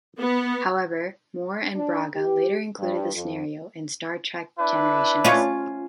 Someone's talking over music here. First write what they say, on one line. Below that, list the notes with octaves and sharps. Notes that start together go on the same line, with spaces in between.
However, Moore and Braga later included the scenario in "Star Trek Generations".
B3
D4
G4
G2
F2
D4 E4 B4
C#4 F4